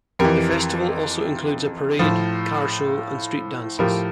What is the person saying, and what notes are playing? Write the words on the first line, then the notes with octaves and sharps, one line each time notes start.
The festival also includes a parade, car show, and street dances.
F2 E3 G4 A#4
A2 F3
A2 F3 G4 A#4